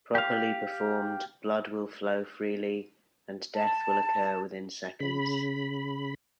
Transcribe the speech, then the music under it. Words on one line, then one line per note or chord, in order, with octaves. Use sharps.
Properly performed, blood will flow freely and death will occur within seconds.
G4 F5
A5
C#3 B5